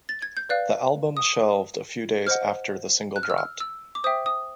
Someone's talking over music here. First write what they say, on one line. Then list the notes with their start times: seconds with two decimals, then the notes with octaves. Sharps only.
The album shelved a few days after the single dropped.
0.09 A6
0.22 G#6
0.37 G6
0.49 B4 D5 F5 F#6
1.17 D#6
2.27 C5 D#5 F#5 F6
3.16 F#6
3.23 F6
3.30 E6
3.38 F6
3.60 E6
3.95 D6
4.04 C5 E5 G5 D#6
4.26 D#6